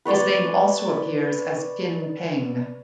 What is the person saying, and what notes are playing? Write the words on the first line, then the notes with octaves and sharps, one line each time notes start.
His name also appears as Tin Peng.
B4 C#5 D5 C6